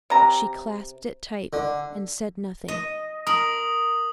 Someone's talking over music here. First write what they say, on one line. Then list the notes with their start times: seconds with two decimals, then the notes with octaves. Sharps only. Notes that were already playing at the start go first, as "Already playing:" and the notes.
But she clasped it tight and said nothing.
0.10 C3 A#5
1.53 D3
2.68 D#5
3.27 A#4 D#6 F#7